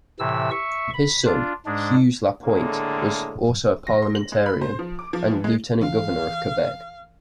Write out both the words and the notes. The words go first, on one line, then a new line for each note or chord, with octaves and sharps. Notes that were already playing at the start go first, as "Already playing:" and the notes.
His son, Hugues Lapointe, was also a parliamentarian and Lieutenant Governor of Quebec.
A2 C3 E3 E6
E5 C#6
B5
D4 F4
G#2 G#3 D4
A2 D3 G#3 A#3
A#6
C6
F#7
G#3
B5
C5
F3
D6
F3
E3
G#3
E3 F5